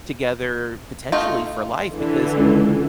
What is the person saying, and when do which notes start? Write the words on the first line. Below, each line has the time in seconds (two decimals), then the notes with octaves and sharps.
together potentially for life because
1.12 A3 D#4 F4
1.93 D3 E3
2.37 C#2